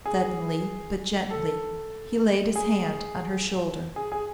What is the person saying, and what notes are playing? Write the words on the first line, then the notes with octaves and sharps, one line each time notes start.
Suddenly but gently he laid his hand on her shoulder.
G#4
A4
G#4
G#4
G#4